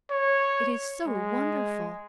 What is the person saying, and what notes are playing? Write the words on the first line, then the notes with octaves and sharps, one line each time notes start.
"It is so wonderful."
C#5
G#3